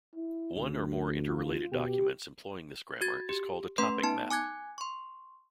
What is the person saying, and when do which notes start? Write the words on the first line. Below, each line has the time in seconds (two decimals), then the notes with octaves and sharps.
One or more interrelated documents employing this grammar is called a topic map.
0.16 E4
0.56 D2
1.29 F4
1.72 B2 G4
3.01 F#4 G#6 A6
3.29 G4
3.78 A3 C#4 B4 C6
4.03 B3 D#4 A5
4.31 G#5 D6 F#6 G#6
4.78 C6 C#6